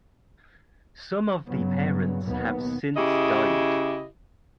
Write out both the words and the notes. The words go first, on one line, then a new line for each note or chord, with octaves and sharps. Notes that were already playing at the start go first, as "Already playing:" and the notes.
Some of the parents have since died.
G2 C#3 F#3 B3
D#2 B2 B3
C#3 E4 G4 D#5